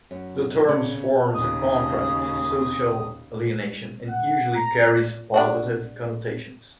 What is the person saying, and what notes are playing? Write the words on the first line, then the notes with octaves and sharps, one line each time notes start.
The term forms a contrast to social alienation and usually carries positive connotations.
F#2
C#3
D#2 C#3 D#6
F#5
A#5
G3 D4 F#4